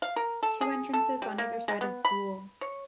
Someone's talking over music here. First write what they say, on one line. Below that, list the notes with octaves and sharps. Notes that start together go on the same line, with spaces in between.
Two entrances on either side of boul.
F5
A#4
A4
G#4
A4
G3
A#3
G#3
B3
B5
C#5